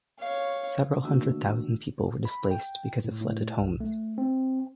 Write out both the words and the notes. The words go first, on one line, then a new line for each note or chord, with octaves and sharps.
Several hundred thousand people were displaced because of flooded homes.
C#5 F5
D#3 A3 A#3 D4 F#4 E6
B5
G5
A2
A2
B1
A3
C4